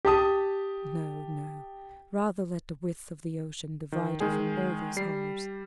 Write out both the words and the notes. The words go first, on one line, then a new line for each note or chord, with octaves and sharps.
No, no! rather let the width of the ocean divide her from all those horrors.
G4 A5 D#6
D#3
D#3 G#3 G#4
G3 C7